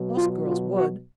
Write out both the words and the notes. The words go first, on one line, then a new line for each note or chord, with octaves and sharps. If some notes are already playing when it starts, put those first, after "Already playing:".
Most girls would.
Already playing: B2 F#3
F4
F4
F#4